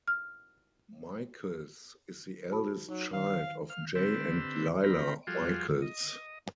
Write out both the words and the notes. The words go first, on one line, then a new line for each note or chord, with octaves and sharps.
Michaels is the eldest child of Jay and Lila Michaels.
F6
F#4 A5 B5
F#3 D#4
D#3 F5
F5 F6
D3 C4 G4 B4 E6
C4 F4 A#5 B5
F3 G3 F4 F#4 G#4 A4
D#5